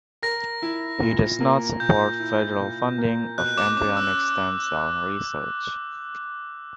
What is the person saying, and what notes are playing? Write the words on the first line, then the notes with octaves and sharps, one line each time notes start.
He does not support federal funding of embryonic stem cell research.
A#4 A#6
E4
A#2
A#3
A#2 G6
E4
A#2
A#3
B2 F#6
D6
C#4 D6
E6